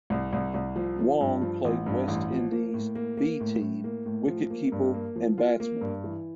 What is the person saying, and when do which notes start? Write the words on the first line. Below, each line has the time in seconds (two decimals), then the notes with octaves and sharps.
Wong played West Indies ‘B’ team wicketkeeper and batsman.
0.10 C2
0.33 C2
0.54 C2
0.76 F3
0.99 F3
1.21 G2
1.42 F3
1.65 A1
1.86 G2
2.08 A1
2.31 F3
2.51 A#3
2.74 A2
2.95 A#3
3.17 A#3
3.40 A2
3.61 A2
3.84 A#3
4.06 A2
4.28 F3
4.50 A#3
4.72 G2
4.94 A#3
5.16 F3
5.38 F4
5.60 A#3
5.81 G2
6.04 E3